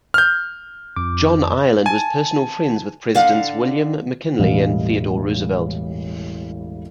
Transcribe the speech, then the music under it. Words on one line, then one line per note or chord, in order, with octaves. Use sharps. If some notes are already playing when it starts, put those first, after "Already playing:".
John Ireland was personal friends with Presidents William McKinley and Theodore Roosevelt.
F6 G6
F2 D6
G#5 A5
D3 F5 F#5
E1 A1 E3 G3 D#5 F5